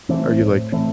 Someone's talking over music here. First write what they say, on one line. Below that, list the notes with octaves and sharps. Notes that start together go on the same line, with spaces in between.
Are you like
E3 A3 C4
A2
E3 A3 C4